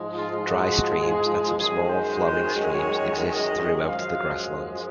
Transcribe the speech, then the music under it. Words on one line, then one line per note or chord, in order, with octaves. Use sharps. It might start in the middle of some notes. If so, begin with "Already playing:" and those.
Dry streams and some small flowing streams exist throughout the Grasslands.
Already playing: G#2 F3 G#3
F4
F#4
G#4
F#2 D#3 G#3 G#4
C5
C5
C#5
D#5
F#2 F3 G#3 F5